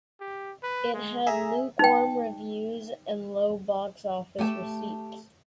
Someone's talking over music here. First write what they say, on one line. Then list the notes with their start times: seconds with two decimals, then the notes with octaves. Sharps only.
It had lukewarm reviews and low box-office receipts.
0.21 G4
0.63 B4
0.94 G#3
1.27 G#4 E5 A#5
1.79 D#4 G5
4.39 A3 G4 G#5 A5